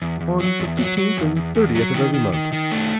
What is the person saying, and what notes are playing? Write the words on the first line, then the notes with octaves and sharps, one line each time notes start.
"On the fifteenth and thirtieth of every month."
E2
E2
F#3
E2
F#3
F#3
E2
E2
E2
F#3
D#3
D#3
D#3
D#3
A3